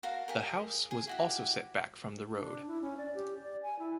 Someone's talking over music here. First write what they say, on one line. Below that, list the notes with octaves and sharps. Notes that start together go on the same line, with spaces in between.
The house was also set back from the road.
F#4 A#4 F5 A5
G4 G#4 A#4
G#4
E4 F#4 G4
D4
E4
C#4
D5
G4
D5
G#5
E4